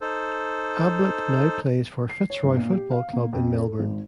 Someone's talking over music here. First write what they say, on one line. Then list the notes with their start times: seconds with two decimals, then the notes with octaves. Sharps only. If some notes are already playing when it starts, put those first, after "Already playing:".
Ablett now plays for the Fitzroy Football Club in Melbourne.
0.01 D#4 A4 C5
2.09 C7
2.30 C#5
2.43 G1
2.57 A#2
2.73 G4
2.91 F5
3.13 A#3
3.33 F2
3.56 A4
3.79 G#1